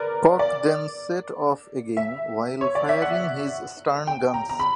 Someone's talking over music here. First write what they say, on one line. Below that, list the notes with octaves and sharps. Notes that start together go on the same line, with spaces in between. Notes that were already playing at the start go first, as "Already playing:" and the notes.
Cock then set off again while firing his stern guns.
Already playing: A#4 B4 D5
D5
E5
C#5
D5
E5
F#5
G5
A#5
A#5
B5